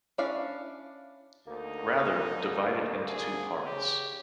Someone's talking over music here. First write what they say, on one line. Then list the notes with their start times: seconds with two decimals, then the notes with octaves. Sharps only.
Rather, divide it into two parts.
0.18 C#4 D4 E4 D5 F5
1.47 D2 A#3 D#4
3.08 G#4
3.66 C#3 G4